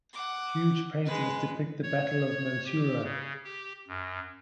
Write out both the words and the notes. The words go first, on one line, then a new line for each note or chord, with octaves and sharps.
Huge paintings depict the Battle of Mansoura.
F#5 D6
G#3 B4
C#5
G4
C#3
G4
F#2